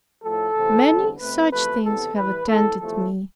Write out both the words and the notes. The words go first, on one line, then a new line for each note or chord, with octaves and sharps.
Many such things have attended me.
A2 F3 A3 A4
C3 E3 A3 C4
E2 D3 G3 C4
B2 A3 C4 B4
E2 C3 F3 A3 B4
E2 C3 E3 B3 A4
A2 E3 G3 B4
A2 E3 B3 A4
E2 C3 F3 A3 A4